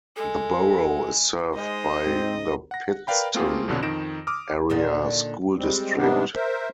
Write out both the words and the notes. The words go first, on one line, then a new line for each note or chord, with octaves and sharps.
The borough is served by the Pittston Area School District.
G#3 A4
G#3 D#4 C5 D#5
G#2 C4
F#5 A#6
A#4 B4 D5 F5 G5 B5
A3 A#3 C4 F4 G4 G#4
B1 F2 B2 D3 C#4 D4
F2 D#3 D#4 A#6 D7 E7
D6 D#6 F6
A#2 D3 D#3
G3 G#3 C4
G#2 C3 D#3 G3 B3 D4
A#4 C5 E5